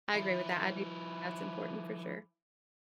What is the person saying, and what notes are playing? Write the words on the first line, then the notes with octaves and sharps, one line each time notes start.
I agree with that, I do that's important for sure.
F3 E4